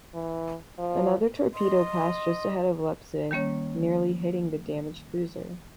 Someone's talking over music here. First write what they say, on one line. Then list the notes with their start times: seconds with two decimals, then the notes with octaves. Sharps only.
Another torpedo passed just ahead of "Leipzig", nearly hitting the damaged cruiser.
0.14 E3
0.78 F3
1.54 D#5 C6
3.31 D#3 G3 A#3 C#4 C#5